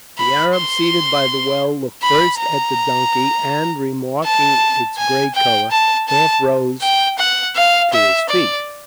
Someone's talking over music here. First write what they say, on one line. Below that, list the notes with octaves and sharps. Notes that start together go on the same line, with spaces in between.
The Arab seated by the well looked first at the donkey, and, remarking its grey colour, half rose to his feet.
B5
C6
B5
A#5
A5
G#5
G5
A5
A5
G5
F#5
F5
E5
D5